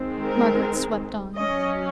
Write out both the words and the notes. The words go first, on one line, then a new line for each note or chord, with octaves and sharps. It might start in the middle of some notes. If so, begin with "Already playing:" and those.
Margaret swept on.
Already playing: D#3 G#3 C4
A#4
F#3 C#4 D#5